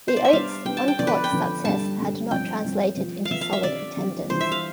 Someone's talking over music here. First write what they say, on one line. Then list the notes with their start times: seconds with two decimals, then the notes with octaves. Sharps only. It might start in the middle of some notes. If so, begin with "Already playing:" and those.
The Oaks' on-court success had not translated into solid attendance.
0.08 C5
0.17 D5
0.25 E5
0.33 G3 B3 D4 F5
0.65 G3 B3 D4 G5
0.77 A5
0.88 G5
0.99 D3 F3 B3 D5
1.07 B4
1.24 G5
1.32 D3 F3 B3
1.64 G2 D3 G3 A5
1.98 G2 D3 G3
2.31 G2 F3 C4 G5
2.64 G2 F3 C4
2.97 F3 B3 F4
3.25 F5
3.31 F3 B3 F4 E5
3.41 F5
3.53 E5
3.63 D3 F3 C4 G4 D5
3.96 D3 F3 C4 G4
4.29 E3 G3 D4 F4 C5
4.41 E5
4.52 F5